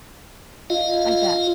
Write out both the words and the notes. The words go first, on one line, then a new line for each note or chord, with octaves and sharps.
I bet.
F4 D#5 F5